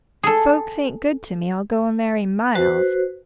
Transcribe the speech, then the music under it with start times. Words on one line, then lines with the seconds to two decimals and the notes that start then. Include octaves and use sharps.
If folks ain't good to me, I'll go and marry Miles!
0.23 G#4 A4
2.55 F#4 B4 C5